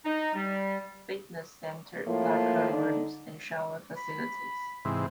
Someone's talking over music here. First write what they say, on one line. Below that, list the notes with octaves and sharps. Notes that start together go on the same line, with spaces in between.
Fitness Center, locker rooms, and shower facilities.
D#4
G3
A2 F3 A#3
D3 D4 D#4
B5
G#2 C3 E3